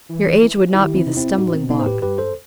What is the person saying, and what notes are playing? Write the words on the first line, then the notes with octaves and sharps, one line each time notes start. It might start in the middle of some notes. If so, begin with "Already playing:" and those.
"Your age would not be the stumbling block."
E3
E3
D#3 E4 G4
C4 E4
C3 D#4
C4 E4
A2 D#4 F#4
B2 C4
B3 D#4
A2 C5
G4 B4
G2 G4 B4
A4 C5